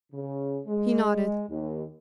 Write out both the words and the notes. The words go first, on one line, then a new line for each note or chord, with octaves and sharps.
He nodded.
C#3
G#3
D#2